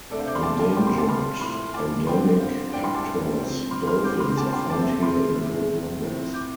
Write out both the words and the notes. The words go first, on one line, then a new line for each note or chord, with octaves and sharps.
Endangered, endemic Hector's dolphins are found here in good numbers.
C3 A3 D4 A4 D5
C5 F5
D6 G6
C6 F6
A5 D6
A5 D6
C3 G3 C4 G5 C6
G5 C6
F5 A5
C6 F6
A2 F3 A3 C6 F6
A5 D6
D3 F3 C4 G5 C6
C5 F5
A2 G3 D4 D5 G5
G5 C6
A5 D6
F3 C4
C6 F6
C6 F6
D3 F3 C4 D6 G6
C6 F6
A5 D6
G5 C6
C3 A3 C4 A5 D6
C6 F6
A2 A3 C4
A2 F3 C4
D6 G6